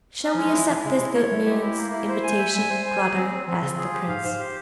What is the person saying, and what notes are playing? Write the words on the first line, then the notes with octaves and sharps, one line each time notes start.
"Shall we accept this good man's invitation, brother?" asked the prince.
C#4
F3
G#3
F3
E3 E4
E3 E4
C#3 G#3
C3 E4
A#3 C#5
G3 E4
G#3 G4
E4
A#3
E4
C5
G#5
E5
G3 G#5
C5
G#5
G#4
C4
C4
F3 C4
C#3 F4
C#3 G#4
G4
G#2 F5
G#2 C5
G4